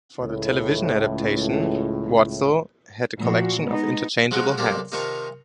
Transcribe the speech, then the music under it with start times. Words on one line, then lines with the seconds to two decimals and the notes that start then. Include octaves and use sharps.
For the Television adaption, Worzel had a collection of interchangeable heads.
0.20 C#2 A2
3.19 A#2 F3 F#4
3.65 G#3 B3 D#4
4.31 F3 F#3 G#3 C#4 F#4
4.58 B1 C3 G3 A#3 G4 A4
4.92 C3 D#3 D#4 F4 A5 C#6